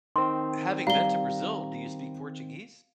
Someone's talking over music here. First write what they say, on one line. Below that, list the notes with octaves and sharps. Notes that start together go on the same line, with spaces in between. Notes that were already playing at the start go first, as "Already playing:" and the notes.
having been to Brazil, do you speak Portuguese?
D#3 C4 C6
G3 D5 F5 A#5 G7